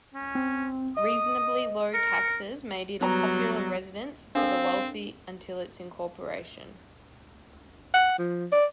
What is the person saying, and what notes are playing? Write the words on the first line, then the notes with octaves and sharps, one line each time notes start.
Reasonably low taxes made it a popular residence for the wealthy until its incorporation.
C#4
C4
D#5 D#6
A#4 C#7
F#3 G3 B3 A#5
C4 D4 A4 A#4 C5 F5
F#5
F3
D5